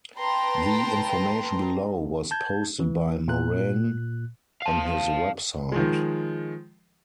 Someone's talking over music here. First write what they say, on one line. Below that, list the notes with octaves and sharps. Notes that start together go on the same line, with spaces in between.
The information below was posted by Moran on his website.
B4 G5 A5 A#5 C6
A5 G6 G#6
E3
A#2 F#6
F5 A5
D#3 F3 G#3